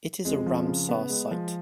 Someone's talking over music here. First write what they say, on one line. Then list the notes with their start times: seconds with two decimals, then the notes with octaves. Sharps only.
It is a Ramsar site.
0.25 F2 G#3
0.46 F3
0.67 C#3
0.89 B3
1.09 G#3
1.31 F3